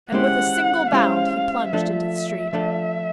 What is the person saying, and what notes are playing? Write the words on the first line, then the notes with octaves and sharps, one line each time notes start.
And with a single bound he plunged into the street.
G#3 C#4 E4 G4 C5 F#5
G#3 C#4 E4 G4 C5 F5
F3 A3 D4 F4 A4 E5
F3 A3 D4 F4 A4